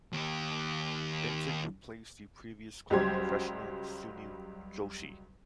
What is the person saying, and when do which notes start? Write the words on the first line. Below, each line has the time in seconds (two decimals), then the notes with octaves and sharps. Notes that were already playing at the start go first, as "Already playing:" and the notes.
Vincent replaced the previous club professional, Sunil Joshi.
0.13 D#2 G4
2.90 C#2 F#3 G3 G4 C5 G#6